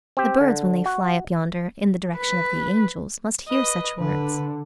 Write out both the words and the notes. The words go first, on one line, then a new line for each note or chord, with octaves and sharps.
The birds when they fly up yonder, in the direction of the angels, must hear such words.
C4 G4
D3
F#4
B4
B4 D#5
D3 B4